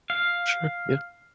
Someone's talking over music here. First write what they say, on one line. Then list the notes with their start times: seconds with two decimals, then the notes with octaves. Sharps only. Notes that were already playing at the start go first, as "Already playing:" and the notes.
Sure, yeah.
0.10 F5